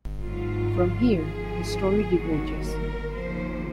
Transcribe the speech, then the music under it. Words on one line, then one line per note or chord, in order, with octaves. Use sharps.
From here, the story diverges.
G#2 F#3 F4
G#2 F3 G#4
D#2 D#3 F#3 F#4
A#4
D#2 C#3 F3 C5